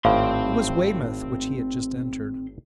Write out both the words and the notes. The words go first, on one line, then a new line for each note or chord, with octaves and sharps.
It was Weymouth which he had just entered.
G#1 A2 C4 F5 C6